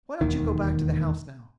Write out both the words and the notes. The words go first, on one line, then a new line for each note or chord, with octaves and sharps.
"Why don't you go back to the house now!"
E1 D#2 D#3